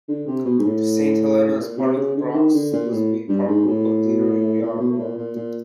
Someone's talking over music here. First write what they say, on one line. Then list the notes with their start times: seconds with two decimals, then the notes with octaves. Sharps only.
Saint Helena's is part of the Brocklesby Park Group of the Deanery of Yarborough.
0.08 D3
0.27 C3
0.45 B2
0.59 G#2
0.65 A2
1.53 A2
1.59 A#2
1.78 C3
1.96 C#3
2.16 D3
2.34 D#3
2.54 D3
2.73 A#2
2.91 A2
3.28 G2
3.47 G#2
3.67 A2
4.62 A#2
4.76 A#2
4.80 B2
4.92 B2
4.98 A#2
5.17 A#2
5.36 A#2